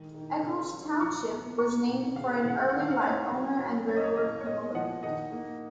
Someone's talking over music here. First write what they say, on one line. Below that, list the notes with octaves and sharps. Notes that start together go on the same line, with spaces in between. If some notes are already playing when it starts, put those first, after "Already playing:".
Eckles Township was named for an early landowner and railroad promoter.
Already playing: D#3 G#3
D#3
C#3
F#3
F3 A#5 C#6
B3
A#3 A#5 C#6
B2
C#3 F5
F#5
F5
C#3 F#5
F5
D#3 F#5
F5
F#5
C#4 C#5 F5
F#3
F#3
C#4 C#5
D#5
C#5
A#3 D#5
C#5
B3 D#5
F3 D#5 F#5
D#3 D#5 F#5
A#3